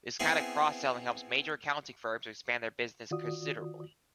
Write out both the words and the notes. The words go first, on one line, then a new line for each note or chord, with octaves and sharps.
This kind of cross-selling helped major accounting firms to expand their businesses considerably.
B3 C4 E4 G#4
D#3 F4 F#4 D5 D#6